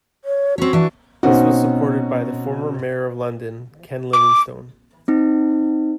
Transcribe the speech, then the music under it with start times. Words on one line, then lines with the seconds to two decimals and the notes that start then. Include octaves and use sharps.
This was supported by the former Mayor of London, Ken Livingstone.
0.25 C#5
0.58 C4 C#4 F#4
0.73 E3 D4
1.23 B2 C4 C#4 D#4 F#4
4.13 D6
5.08 C4 D#4